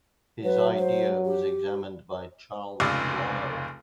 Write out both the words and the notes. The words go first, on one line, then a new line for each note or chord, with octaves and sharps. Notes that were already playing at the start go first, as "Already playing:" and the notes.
His idea was examined by Charles Lyell.
F#3 B4
C5
G4
F1 C#2 C#3 D5 E6